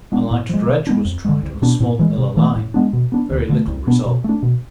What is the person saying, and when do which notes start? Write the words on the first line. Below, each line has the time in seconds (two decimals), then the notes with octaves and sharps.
A light dredge was tried on a small manilla line--very little result.
0.12 G#3 B3 D4
0.31 A2
0.49 F3 G#3
0.68 C3
0.87 G#3 B3 D4
1.05 F2
1.25 D3 G#3
1.43 C2
1.62 B2 B3 D4
1.80 A2
1.99 E3 G#3
2.18 C3
2.37 E3 A3
2.56 A2
2.74 G#3 B3 D4
2.93 B2
3.12 B3 D4
3.31 D2
3.49 D3 A3
3.68 C2
3.87 B2 B3 D4
4.06 B2
4.24 A3 D4
4.43 B2